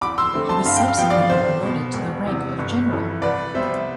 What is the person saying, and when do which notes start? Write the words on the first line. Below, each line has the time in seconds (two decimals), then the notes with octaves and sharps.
He was subsequently promoted to the rank of General.
0.01 E2 B5 D6
0.18 C6 E6
0.34 D3 A3 C4
0.49 A5 C6
0.65 G2 F5
0.76 G5
0.88 F5
0.97 F3 B3 G5
1.10 D5 F5
1.30 B1 C5
1.62 B2 B3
1.94 E1
2.26 E2 C3
2.59 G1
2.90 F2 E3
3.22 C2 B4 D5
3.54 C3 G3 B3 C5 E5